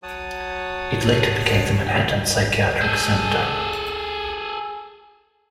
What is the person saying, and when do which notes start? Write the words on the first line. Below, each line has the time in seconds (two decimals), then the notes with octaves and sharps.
It later became the Manhattan Psychiatric Center.
0.03 F#3 C#5 F#5 A5 D#6
2.82 G#4 A4